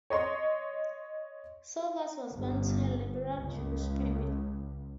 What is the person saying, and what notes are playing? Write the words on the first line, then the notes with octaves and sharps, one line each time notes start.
Silvas was born to a Liberal Jewish family.
C#5 D#5 C6 C#6
G1
C#2